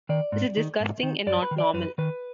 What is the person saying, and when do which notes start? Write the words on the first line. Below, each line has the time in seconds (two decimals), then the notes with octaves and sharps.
This is disgusting and not normal!
0.09 D#3 D5
0.32 G#2
0.57 D#3
0.80 G#2
1.03 D#3
1.27 F#2 D5
1.42 B4
1.51 D#3
1.58 D5
1.74 F#2 B4
1.98 D#3 B4